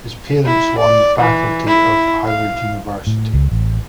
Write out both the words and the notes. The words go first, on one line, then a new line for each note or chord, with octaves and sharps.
His parents were on the faculty of Howard University.
E4
D5
E3
E4
F5
A2
C#2
A1